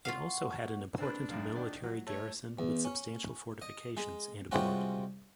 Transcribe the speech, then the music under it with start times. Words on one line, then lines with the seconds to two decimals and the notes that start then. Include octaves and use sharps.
It also had an important military garrison with substantial fortifications and a port.
0.05 F4 F5 F#5 C#6
0.98 C4 D4 A#4 B4
1.29 B1 F#2 F5
1.56 D#3 D5
1.83 F#3
2.07 A3 C#5
2.59 E2
2.85 C#4
3.62 D#5
3.97 G#3
4.52 C3 G3 G#3 C#4 F4 F#4